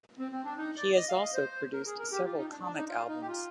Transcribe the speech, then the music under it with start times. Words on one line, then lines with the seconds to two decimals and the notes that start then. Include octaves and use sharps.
He has also produced several comic albums.
0.19 C4
0.32 C4
0.44 D4
0.58 D#4
0.77 D5
0.96 D#5
1.09 F5
1.22 D#5
1.34 C5
1.73 A#4
1.86 G#4
1.99 A#4
2.12 G4
2.24 F4
2.37 D#4
2.50 D4
2.63 D4
2.76 D#4
2.89 F4
3.08 D#4
3.21 G4
3.28 F4